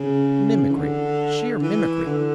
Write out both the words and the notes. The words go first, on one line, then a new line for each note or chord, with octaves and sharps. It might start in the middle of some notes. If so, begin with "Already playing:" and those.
Mimicry, sheer mimicry!
Already playing: C#3
E3
D3
E3
D3